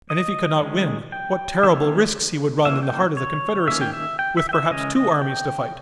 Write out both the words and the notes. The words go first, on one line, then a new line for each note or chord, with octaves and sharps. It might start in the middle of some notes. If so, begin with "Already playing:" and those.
And if he could not win what terrible risks he would run in the heart of the Confederacy, with perhaps two armies to fight!
D#5
D#3 G#3 C#4
G5
D#3 A#3 C#4 E5
E3 A#3 C#4 E5
G5
C#5
D#3 A#3 C#4 E5
G5
E5
G5
E5
G5
E5
C#3 G#3 C#4 D#5
D#5
G5